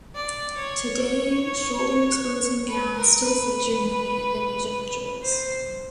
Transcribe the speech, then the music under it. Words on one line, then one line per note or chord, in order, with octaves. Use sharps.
Today, shoulder-exposing gowns still feature in many Indonesian rituals.
D5
C#5
B4
A#4
B4
C5